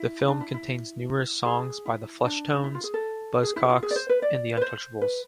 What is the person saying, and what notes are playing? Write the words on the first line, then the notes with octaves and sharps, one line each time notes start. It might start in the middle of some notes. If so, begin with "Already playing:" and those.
The film contains numerous songs by The Fleshtones, Buzzcocks and The Untouchables.
Already playing: E4
D4
E4
E4
G#4
E4
D4
E4
F4
G#4
A4
G#4
E4
G#4
F4
G#4
D5
C5
B4
D5
B4
C5
B4